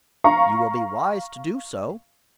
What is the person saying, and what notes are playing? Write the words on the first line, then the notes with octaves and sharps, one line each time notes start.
"You will be wise to do so."
F5 A#5 C#6